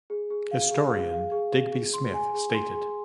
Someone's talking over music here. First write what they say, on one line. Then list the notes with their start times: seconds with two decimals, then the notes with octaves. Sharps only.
Historian Digby Smith stated.
0.10 G#4
0.30 G#4
0.51 F5
0.71 G#4
0.91 G#4
1.11 F5
1.32 G#4
1.52 G#4
1.72 G#4
1.93 C6
2.14 G#5
2.34 G#4
2.54 C6
2.75 G#4